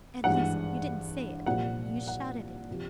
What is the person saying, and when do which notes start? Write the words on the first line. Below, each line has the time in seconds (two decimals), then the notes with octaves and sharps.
"At least--you didn't say it--you shouted it!"
0.24 G#1 G2 E3 G#3 F#5
1.46 C2 A#2 F3 F#5
2.07 F#5
2.70 C3 F3